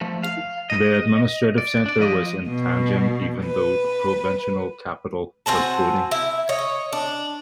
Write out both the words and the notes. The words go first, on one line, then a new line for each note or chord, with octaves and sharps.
The administrative centre was in Tianjin even though the provincial capital was in Baoding.
F3 A3
F5
D#5
D5
D4 D5
F3 D#5
B2
B4
C4 F#4 G#5 A5
E4
C#5 D#5
D4